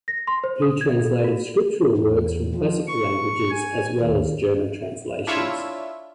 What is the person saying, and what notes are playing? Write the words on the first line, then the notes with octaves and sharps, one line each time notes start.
He translated scriptural works from classical languages, as well as German translations.
A#6
C6
C5
D#6
G#6
A4
F#4
E2
F3
C#6
G#5
D#2
D4 E4 F4 C#5 E5